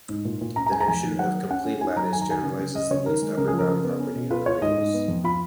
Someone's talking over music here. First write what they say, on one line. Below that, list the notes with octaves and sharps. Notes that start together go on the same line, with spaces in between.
The notion of "complete lattice" generalizes the least-upper-bound property of the reals.
G#2
A#2
A#2
C#4 A#5
A#5
G#3 G#5
A#5
F2 G#5
D#3
F#3 F#5
A#3
C#4 F#5
C#4
D#4 G#5
F#3 A#5
D#3 G#5
A#5
D#3 G#5
C#3
C#3
C#3 D#5
C#3 C#5
D#3 A#4
G#3
C#3 A#4
G#4
F3
A#4
C#3
B3
C#4
B2
F4 B4
F4 C#5
G#2 D#5
G#2
B3
F2
F4 B5